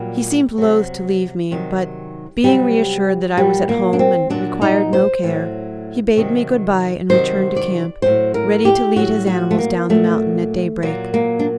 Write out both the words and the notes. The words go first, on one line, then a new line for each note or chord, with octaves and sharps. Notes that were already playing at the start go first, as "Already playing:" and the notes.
He seemed loath to leave me, but, being reassured that I was at home and required no care, he bade me good-bye and returned to camp, ready to lead his animals down the mountain at daybreak.
Already playing: A#2 F#3 G3
C3 F#3
C3 D#3 F#3
C3 F#3 G3
A#2 F#3 G3
A#3
D4
C4
A#2 F#3 D4
D#4
C5
A2 F#3
C3 D#3 F#3
C3 D#3 F#3 C5
D5
A2 F#3 C5
A#4
G4
A2 F#3 F#4
F#4
A3
A#3
A#2 F#3 A3
A#2 F#3 A#3
A#3
D4